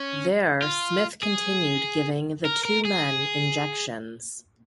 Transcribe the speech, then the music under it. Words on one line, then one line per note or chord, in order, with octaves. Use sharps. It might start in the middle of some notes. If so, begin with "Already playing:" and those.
There Smith continued giving the two men injections.
Already playing: C#4
F4
G#4
A#4
A#4
G#4